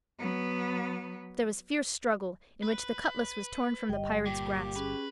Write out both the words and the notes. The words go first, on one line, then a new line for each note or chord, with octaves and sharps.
There was fierce struggle, in which the cutlass was torn from the pirate's grasp.
F#3 B3
B4
G1 G3 D#5 G5
A#2 G4 G5
C#4 G#4 B4